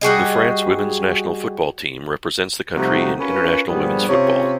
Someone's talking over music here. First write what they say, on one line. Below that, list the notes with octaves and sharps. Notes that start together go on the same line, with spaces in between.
The France women's national football team represents the country in international women's football.
G3 F#4 G#4 D#5
C3 F3 G3 A3 D#4 F#4
C#4 F4 A#4 B4
G2 A#2 F3 G3 B3 G#4
C3 C#4 F4 C#5